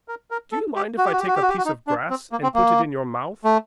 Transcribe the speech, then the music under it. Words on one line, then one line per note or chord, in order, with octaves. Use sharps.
Do you mind if I take a piece of grass and put it in your mouth?
A#4
A#4
A4
G4
F#4
G4
F#4
G4
F#4
G4
F#4
G4
F#4
D#4
D4
C4
A#3
C4
A#3
A3